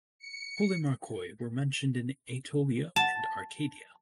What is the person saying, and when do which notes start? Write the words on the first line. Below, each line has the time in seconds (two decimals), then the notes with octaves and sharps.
Polemarchoi were mentioned in Aetolia and Arcadia.
0.19 C#7
2.96 A5